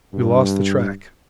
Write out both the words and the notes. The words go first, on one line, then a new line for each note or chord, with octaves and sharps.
We lost the track.
G2